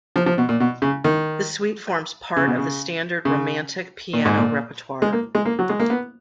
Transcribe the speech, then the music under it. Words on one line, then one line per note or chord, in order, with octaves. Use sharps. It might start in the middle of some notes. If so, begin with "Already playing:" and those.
The suite forms part of the standard Romantic piano repertoire.
F3
F3
B2
A#2
B2
C#3
D#3
C#3
B2
C#3
C#3
A#2
G#2
A#2
G#3
A#3
G#3
A#3
F#3
G#3
A#3
B3